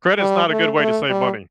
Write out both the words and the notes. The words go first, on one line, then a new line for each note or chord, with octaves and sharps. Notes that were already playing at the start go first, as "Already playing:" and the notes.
Credit is not a good way to save money.
G3
A3
A3
G3